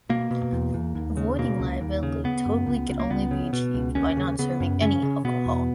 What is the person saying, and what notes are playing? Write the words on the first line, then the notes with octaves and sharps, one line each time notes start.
Avoiding liability totally can only be achieved by not serving any alcohol.
B2 A#3
B2
E2
E2
D#2
C#3
B2 A#3
C#2
D#2
C#3
C#3 B3
F#2
C#2
C#2
A#3
C#2 B3
C#3
B2
C#2
D#2 C#4
C#3
C#3 B3
F#2
C#3 C#4
C#3
B2 B3
E2